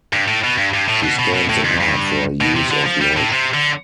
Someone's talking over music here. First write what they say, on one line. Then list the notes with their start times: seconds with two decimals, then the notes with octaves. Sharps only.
She stands apart for her use of magic.
0.13 G2
0.28 A2
0.44 B2
0.58 G2
0.74 G2
0.88 A2
1.03 B2
1.19 B2
1.34 B2
1.49 A2
1.65 F2
1.80 G2
2.41 B2
2.55 C3
2.71 D3
2.86 F3
3.01 G3
3.17 A2
3.32 C3
3.54 D3